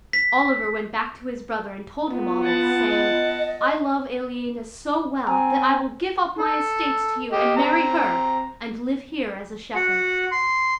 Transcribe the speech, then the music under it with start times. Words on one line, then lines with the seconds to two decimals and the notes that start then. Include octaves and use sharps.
Oliver went back to his brother and told him all this, saying, "I love Aliena so well that I will give up my estates to you and marry her, and live here as a shepherd."
0.13 B6
2.10 B3 F4
2.43 F#5 A5
2.90 D#5
5.27 C4 G#5 A#5
6.38 A4
7.32 G4 D#5
7.57 C4 A#5
9.75 F#4 F#5
10.31 C6